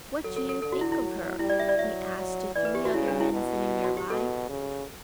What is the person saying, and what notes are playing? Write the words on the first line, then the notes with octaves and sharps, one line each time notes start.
'What do you think of her?' he asked to three other men sitting nearby.
F#3 A4
A4
A4
D3 A4
F#4
E4
E4
F#3
G3 E4
D5
E5
D5
F#3 E5
F#3
E3 D5
B4
G4
F#4
C#3 E4
D4
E4
B2
F#4
G4
B2 A4
C#3